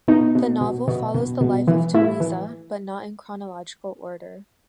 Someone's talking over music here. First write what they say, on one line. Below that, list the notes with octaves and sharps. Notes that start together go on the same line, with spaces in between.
The novel follows the life of Tereza, but not in chronological order.
B2 D#4
B2
B2
B2
B2
B2
E3
A2 E4
E3